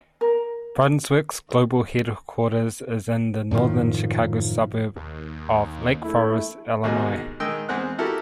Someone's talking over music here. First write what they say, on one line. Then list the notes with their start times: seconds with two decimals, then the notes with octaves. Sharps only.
Brunswick's global headquarters is in the northern Chicago suburb of Lake Forest, Illinois.
0.21 A#4
3.51 F#2 A2 D#3 F3
4.96 D#2
6.03 A#1 A3 E4
6.84 D#2 G#2 B2 G#4
7.40 D#3 G#3 D#5 G5 E6
7.69 E2 G#3 C4 F#5 F#6
7.98 E4 F#4 G4 A4 A#4